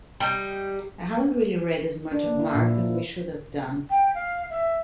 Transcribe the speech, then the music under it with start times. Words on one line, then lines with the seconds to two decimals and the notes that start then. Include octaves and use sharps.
I haven't really read as much of Marx as we should have done.
0.20 G3 D#4
2.12 D4
2.26 A#3
2.40 E4
2.55 A#2
2.78 F3
3.90 G5
4.15 F5
4.50 E5